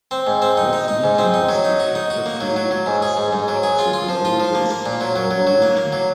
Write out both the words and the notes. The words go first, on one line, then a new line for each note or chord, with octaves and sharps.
This meeting was effectively the start of the Glorious Revolution.
C4
G#2
C4
D#4
D#4
D#4
G#2
C4
D#4
F#3
D#4
F#4
D#4
F#4
A#3
F#3
F#3
F#3
G#2
G#4
G#2
G#2
F#3
G#4
F4
F4
F3
F4
F3
A#3
A#3
A#2
F#3
F#3
F#3
F#3
A#3
A#3
F#3